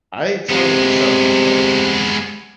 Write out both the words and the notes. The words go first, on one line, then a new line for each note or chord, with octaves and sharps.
I ain't telling you something I heard,
C3 G#3 B3